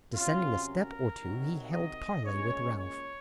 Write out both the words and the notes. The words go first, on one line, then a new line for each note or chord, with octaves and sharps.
Descending a step or two he held parley with Ralph.
C3 F#3 C#4 F4
A#4
C3 D#3 F#3
D#5
A#2 G#3 C#4 C#5
C#5